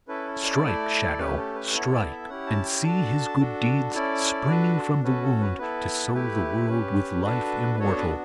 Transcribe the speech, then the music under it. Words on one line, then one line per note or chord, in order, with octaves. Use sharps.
Strike, Shadow, strike! And see his good deeds springing from the wound, to sow the world with life immortal!
C#4 E4 A4 B4
D5
A3 E4 A4
A3 C#4 G4 B4
A4
B4
B3 E4 A4 C#5
D5
E5
C#4 E4 G4 F#5
A5
G5
D4 F#4 A4 A5
D4 F#4 A4
C#4 E4 A4 D5
D4 F#4 A4 B4
A4
C#4 F#4 A4 B4
A4
B4
B3 E4 A4 B4
A3 E4 G4 B4
C#4 G4
D4 F#4 A4 B4
B4
B3 D4 F#4 A4 C#5
B4
A4